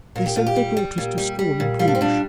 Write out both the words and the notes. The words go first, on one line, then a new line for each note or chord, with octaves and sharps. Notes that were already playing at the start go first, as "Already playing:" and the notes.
They sent their daughters to school in Bruges.
A#2 A#4
G4
A#2 F4
G4
G3
G3
A#2
G3
G3
A#2
G3 F4
D4
C4
A#2 D4